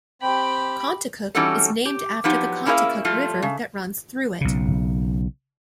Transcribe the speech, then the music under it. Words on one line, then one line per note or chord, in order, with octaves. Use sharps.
Contoocook is named after the Contoocook River that runs through it.
C4 G4 G5 B5
E3 G3 C#4 D#4 F#4 A4
G4
F3 F#3 B3 D#4 G4
A#3 C#4 E4 G#4 A#4 F5
F3 G3 A3 F4
C#3
B1 C#3